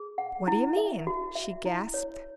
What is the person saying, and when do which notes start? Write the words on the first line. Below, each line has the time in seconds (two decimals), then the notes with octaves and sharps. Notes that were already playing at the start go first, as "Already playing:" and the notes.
"What do you mean?" she gasped.
Already playing: G#4
0.18 F#5
0.48 E4
0.77 E5
1.07 F#4
1.35 E5
1.66 E4
1.94 C#5